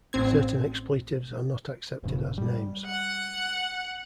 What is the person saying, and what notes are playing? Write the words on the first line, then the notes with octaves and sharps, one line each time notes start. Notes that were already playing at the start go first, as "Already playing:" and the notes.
Certain expletives are not accepted as names.
A1 C4 G#6
D#1 G2 C#3
G3
F#5